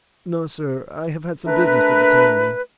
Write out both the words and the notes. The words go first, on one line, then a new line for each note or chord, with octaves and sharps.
"No, sir; I have had some business to detain me."
A3 D4 A#4 B4